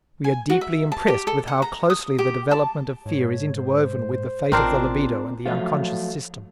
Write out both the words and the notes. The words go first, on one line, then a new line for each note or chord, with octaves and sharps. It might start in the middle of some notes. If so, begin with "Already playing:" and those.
We are deeply impressed with how closely the development of fear is interwoven with the fate of the libido and the unconscious system.
G#5
F#4
E5
A5
G4
A4
F#5
A#5
D#6
G4
A5
G#2 C#5
C5
A1 D#3 G#3 C4 D4 F4 A#4 C5
F3 F#3 A3 F4